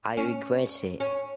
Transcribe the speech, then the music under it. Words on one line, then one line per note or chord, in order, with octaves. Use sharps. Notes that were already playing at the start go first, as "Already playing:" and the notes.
I regret it!
C#4
C#4